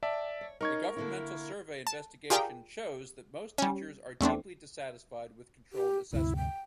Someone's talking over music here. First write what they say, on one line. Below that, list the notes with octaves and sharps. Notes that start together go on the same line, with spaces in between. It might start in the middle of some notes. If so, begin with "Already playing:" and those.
A governmental survey investigation shows that most teachers are deeply dissatisfied with controlled assessment.
D5 E5 G5 A5
C#5
C#4 D#4 A#4 C#6 G#6
D3 A#3 E4
A5
F4 G4 G#4 A#4 D5 G5
G3 C#4
E2 A3 C4 D4
G4
D2 G2 C3 E4
G5